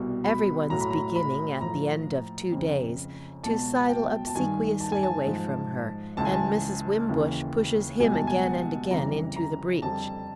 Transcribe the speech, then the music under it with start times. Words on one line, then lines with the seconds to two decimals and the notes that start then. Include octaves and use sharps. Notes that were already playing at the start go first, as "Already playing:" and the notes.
Every one's beginning--at the end of two days--to sidle obsequiously away from her, and Mrs. Wimbush pushes him again and again into the breach.
Already playing: C2 B2 G3
0.24 B5
0.70 A2 F#3 A#5
0.81 B5
0.91 A#5
1.16 B5
1.61 A2 F3 A#5
2.52 F2 C#3 F3
3.44 C#2 B2 F#3 A5
3.89 G5
4.27 A5
4.35 G2 D#3 G3 G#5
4.80 A5
4.92 G#5
5.03 A5
5.26 G#2 F3
6.17 C#2 C#3 E3 A5
6.25 G#5
6.33 A5
7.09 D#2 C#3 E3
8.00 C#2 B2 G3 G#5
8.13 A5
8.27 G#5
8.45 F#5
8.91 F2 C#3 E3 G3 A#5
9.36 A#5
9.82 F2 D3 G3 A5